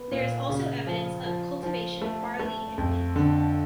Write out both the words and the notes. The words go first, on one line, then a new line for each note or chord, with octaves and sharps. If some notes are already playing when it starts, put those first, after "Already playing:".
There is also evidence of cultivation of barley and wheat.
Already playing: B3
A#2
C#3
F3
F3
F3
A3
A3
F2
D3